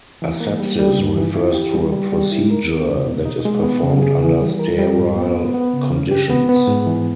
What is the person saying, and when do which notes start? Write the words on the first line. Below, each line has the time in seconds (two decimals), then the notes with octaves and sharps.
Asepsis refers to a procedure that is performed under sterile conditions.
0.22 E3
0.40 A#3
0.60 G3
0.79 G3
0.99 G2
1.16 E3
1.35 E4
1.54 G4
1.73 G3
1.92 G3
2.12 G3
2.32 E4
2.51 A#4
2.70 B3
2.88 E2
3.07 B2
3.25 D#4
3.45 G#3
3.63 B3
3.83 C#3
4.02 G#4
4.21 E3
4.40 G3
4.59 A#4
4.78 G3
4.97 G#2
5.16 B3
5.36 B3
5.54 B3
5.74 C#3
5.92 C#4
6.11 G4
6.30 B3
6.49 B3
6.68 G#2
6.87 E3